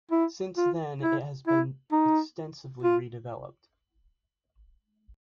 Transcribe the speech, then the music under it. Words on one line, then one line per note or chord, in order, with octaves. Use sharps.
Since then it has been extensively redeveloped.
E4
F4
E4
E4
D#4
F4